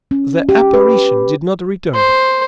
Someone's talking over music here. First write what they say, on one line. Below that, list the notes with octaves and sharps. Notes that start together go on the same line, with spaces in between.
The "apparition" did not return.
C#4
G4
B4
C5